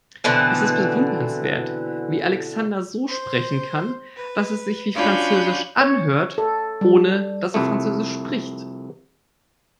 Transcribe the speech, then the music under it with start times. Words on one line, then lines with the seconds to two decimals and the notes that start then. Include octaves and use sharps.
Es ist bewundernswert, wie Alexander so sprechen kann, dass es sich wie französisch anhört, ohne dass er französisch spricht.
0.24 B2 D3 E3 C4
3.07 C5
4.16 B4
4.95 C#4 D4 F4 F#4 B5 G6
5.81 C#5
6.38 A4
6.81 G3
7.54 C2 F2 A3